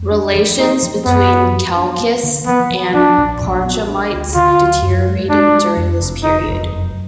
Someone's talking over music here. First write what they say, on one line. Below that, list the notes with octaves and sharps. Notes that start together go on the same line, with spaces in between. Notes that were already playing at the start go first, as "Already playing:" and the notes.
Relations between Khalqists and Parchamites deteriorated during this period.
Already playing: F2
D4
F3
A#3 D#4
F3
F#2 B3
F3
F3
D4
A#3
D3
F3 B3
F3
F3 D4
A#1
A#1
B3
D4
D2
D3 F4
D2
F#2
G#3
G#3 D4
G#3
F2
F1
D3 D#4
F1
F#2